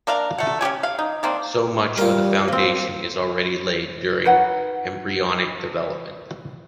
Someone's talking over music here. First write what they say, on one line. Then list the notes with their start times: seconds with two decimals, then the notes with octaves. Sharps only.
So much of the foundation is already laid during embryonic development.
0.07 A#3 D4 A#4 F5
0.38 A3 F#5
0.61 C#4 D#4 G4 G#5
0.83 F5
0.99 D#4
1.23 D#3 A#3 C4 D4
1.98 G3 F4 A#4
2.48 A#3 C4 C5
4.25 D#4 B4 C#5 F#5